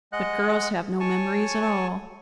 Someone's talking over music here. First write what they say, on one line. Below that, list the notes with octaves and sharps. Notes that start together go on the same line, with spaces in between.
But girls have no memories at all!
G#3 D#5 F#5 F#6
C#5 G#5 A5 C#6